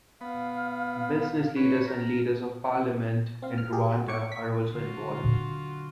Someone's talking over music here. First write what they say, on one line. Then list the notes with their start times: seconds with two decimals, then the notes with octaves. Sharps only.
Business leaders and leaders of parliament in Rwanda are also involved.
0.21 B3 F5
1.56 B4 C#5
1.87 A#4
3.42 C4 F5
3.57 A2 F6
3.73 G4 G#4
3.93 F#4
4.07 A2 C#5 C#6 D6 C#7
4.32 C#6 B6
4.72 D3 F#3 F4 F#4